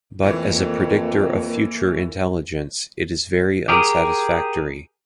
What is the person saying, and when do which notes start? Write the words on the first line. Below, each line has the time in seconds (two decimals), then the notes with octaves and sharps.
But as a predictor of future intelligence, it is very unsatisfactory.
0.23 F2 A2 E3 A#3
3.68 G4 G#4 A#4